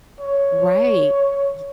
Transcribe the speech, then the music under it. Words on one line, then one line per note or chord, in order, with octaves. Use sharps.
Right. Ye
C#5